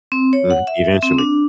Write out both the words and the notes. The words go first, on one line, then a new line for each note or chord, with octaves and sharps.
Mhm. Eventually.
C4
C#5
F#5
E5
C4
D4